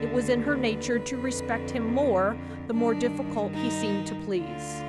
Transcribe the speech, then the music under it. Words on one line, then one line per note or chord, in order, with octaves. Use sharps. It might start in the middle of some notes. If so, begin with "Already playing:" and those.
It was in her nature to respect him more, the more difficult he seemed to please.
Already playing: D#2 D3
B4
F2 D3
G2 D#3 D4
D#4
D2 D3 F4